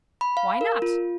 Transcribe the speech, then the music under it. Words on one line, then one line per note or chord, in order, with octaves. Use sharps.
"Why not?"
B5
F5
A#4
F4